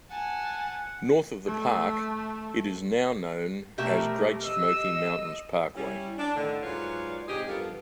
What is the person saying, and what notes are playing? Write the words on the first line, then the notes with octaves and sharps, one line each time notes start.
North of the park, it is now known as Great Smoky Mountains Parkway.
F#5 G#5 A5
A3
B2 A3 G4 A#4 E5
D#5 E6
G3 C#4 E4
D4
A2 D3 D#3
G#2 F#3 F4 B4 C#5 D5
G#2 C3 G4 G#4 D#5
G2 F3 B3 F4 A4 A#4